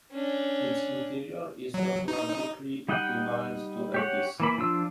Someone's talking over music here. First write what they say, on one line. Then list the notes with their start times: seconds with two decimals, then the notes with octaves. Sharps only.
Its interior is topologically equivalent to a disk.
0.12 C#4 D4
1.74 F#3
2.08 D#4
2.89 G3 D#4 D#5 F#5 G5
3.94 G4 C#5 F#5
4.40 E3 A#3 B5
4.58 F3 D4 F4 E6